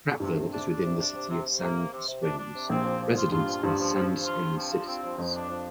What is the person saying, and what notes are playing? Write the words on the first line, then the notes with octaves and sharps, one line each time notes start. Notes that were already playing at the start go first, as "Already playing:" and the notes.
Prattville is within the City of Sand Springs; residents are Sand Springs citizens.
G2 C3
C3
D4
D4
C3
D4
C3
C3
C3
A#3
C3
C3
C3
D4
D4
C3
A#1 A#2 C4
F3
F3
F4
G2 F4
F3
G2 F3
F3
F3
F3
F4
C4
F3
F4
C4
F3
F2 F3
D4
F3